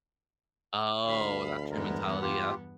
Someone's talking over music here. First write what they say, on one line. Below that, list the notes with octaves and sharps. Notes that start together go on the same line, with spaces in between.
Oh, that's your mentality. Yeah.
D2 F5 B5
E2 G2 G#3 B3 A#4
F4 G4